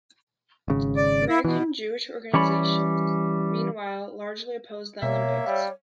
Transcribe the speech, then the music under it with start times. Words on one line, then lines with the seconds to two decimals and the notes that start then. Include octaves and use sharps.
American Jewish organizations, meanwhile, largely opposed the Olympics.
0.68 G#1 C#3
0.96 D5
1.29 E4
1.45 B2 E3
2.34 E3 G3 C#4 C#5 D5 B5
5.02 B2 A#3 C#5 E5
5.46 G3 F5